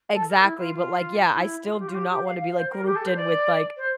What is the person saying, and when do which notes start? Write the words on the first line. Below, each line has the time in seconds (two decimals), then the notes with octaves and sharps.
Exactly, but, like, yeah, I still do not wanna be like grouped in with like,
0.12 A4
0.28 A#4
0.42 E4
0.58 F4
0.74 F4
1.34 E4
1.63 F4
1.79 G4
1.87 F4
1.94 G4
2.09 G4
2.24 F5
2.40 F5
2.55 C5
2.70 A#4
2.85 G4
2.95 A4
3.05 C5
3.15 D5
3.77 C5